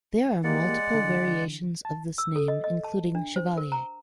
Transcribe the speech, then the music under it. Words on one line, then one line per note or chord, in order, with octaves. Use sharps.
There are multiple variations of this name, including Chevalier.
E3 G#3 A#3 G4 D5 F#5
D3 E3
A5
E6
A4
D#5
D#5
A5
D4
C5
A#4
A#5